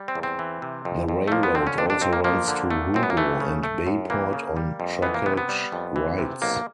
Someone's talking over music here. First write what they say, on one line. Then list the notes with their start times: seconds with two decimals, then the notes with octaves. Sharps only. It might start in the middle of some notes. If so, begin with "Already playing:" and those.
The railroad also runs to Hugo and Bayport on trackage rights.
Already playing: G3
0.08 C4
0.15 E2
0.23 C4
0.39 E3
0.62 C3
0.85 F2
1.08 F2
1.28 A3
1.32 F3 A#3
1.43 B3
1.55 D3 C4
1.67 C#4
1.78 F2 D4
1.90 D4
2.01 F2 C4
2.13 A#3
2.24 F3 A#3
2.48 D3
2.71 A3
2.94 F#2 C4
3.03 B3
3.10 A#3
3.17 E3 A3
3.40 C#3
3.63 A3
3.87 F#2
4.10 E3 A#3
4.33 C#3
4.56 G3
4.80 F2
5.02 E3 B3
5.14 A#3
5.26 C3 B3
5.37 B3
5.49 G3
5.72 F2
5.96 E3
6.18 C3
6.42 B1 A#3